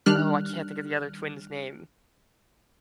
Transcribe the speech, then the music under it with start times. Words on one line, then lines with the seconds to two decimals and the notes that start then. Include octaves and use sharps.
Oh, I can't think of the other twin's name-
0.06 D#3 G3 D4 F6 F#6